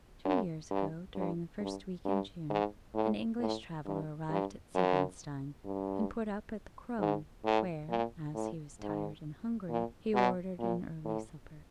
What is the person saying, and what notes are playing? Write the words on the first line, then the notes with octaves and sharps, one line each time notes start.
Two years ago, during the first week in June, an English traveller arrived at Siebenstein and put up at the "Krone," where, as he was tired and hungry, he ordered an early supper.
F#2
G2
G2
G2
G2
G#2
A2
A2
G2
G2
F#2
G2
G#2
A2
A#2
A2
G#2
A#2
B2
A#2
A2